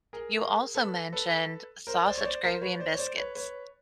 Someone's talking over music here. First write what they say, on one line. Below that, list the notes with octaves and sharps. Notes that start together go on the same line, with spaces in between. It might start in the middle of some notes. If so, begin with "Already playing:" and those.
You also mentioned, sausage gravy and biscuits.
G#4 A#4
G#4 A#4
A4 B4
A4 B4
A#4 C5
C5 D5
C#5
C5 D5
A#4 C5
B4 C#5
C5 D5
C#5
C5 D5
B4 C#5
B4 C#5